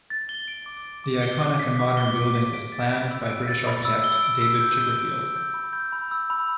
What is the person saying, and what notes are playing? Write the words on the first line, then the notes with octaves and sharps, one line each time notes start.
The iconic and modern building was planned by British architect David Chipperfield.
A6
G7
D7
D6
A6
D6
G7
D6
B6
D6
G7
D6
B6
D7
A6
B5
E6
D7
A6
B5
E6
G7
D7
E6
G6
G7
D7
E6
G6
B5
G6
B5
E6
B5